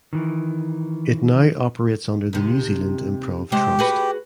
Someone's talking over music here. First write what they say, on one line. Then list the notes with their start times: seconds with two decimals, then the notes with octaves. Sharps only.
It now operates under the New Zealand Improv Trust.
0.13 D#3 E3
2.33 D#2 C3
3.52 C3 G#3 G4 C5
3.79 F#4 G#4 B4